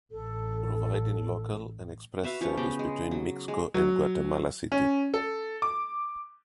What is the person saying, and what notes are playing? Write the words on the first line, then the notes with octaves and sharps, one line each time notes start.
Providing local and express service between Mixco and Guatemala city.
A1 A4
F#4 B4 E5 F5
F3 C#4 B4 C#5
C#3 B3 G4 G5
G#3
F#3
G#3
F#3
C#4
A4
D6